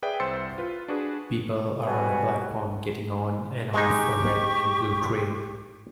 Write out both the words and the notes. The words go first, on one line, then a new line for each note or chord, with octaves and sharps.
People are on a platform getting on and off of a red and blue train.
G#4 B4 D5 E5 G5
C2 C5 C6 E6 A6 C#7
F4 B4
D4 F#4 G#4 B4
B2 G3 B3 F#4 G#5
G#3 D#4 G4 C#6